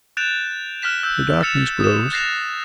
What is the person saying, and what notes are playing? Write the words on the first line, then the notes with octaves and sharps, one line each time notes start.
The darkness grows.
F#6 G6 A6 D7 E7 F7
F6 F#6 B6 E7
E6 F#6 G6
E6 F6 A6 C#7 E7 F7
D#6 E7
F#6 A6 A#6 C7 E7 F7